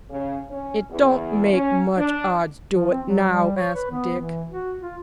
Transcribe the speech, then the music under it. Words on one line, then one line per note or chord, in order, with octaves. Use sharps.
"It don't make much odds, do it, now?" asked Dick.
C#3
C#4
E2
C#4
D4
F3
C4
F#3
G3
C#5
B4
B3
E3
F#4
F4